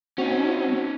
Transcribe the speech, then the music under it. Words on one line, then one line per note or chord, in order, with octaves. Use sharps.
I don't know.
C4 C#4 D#4 F#4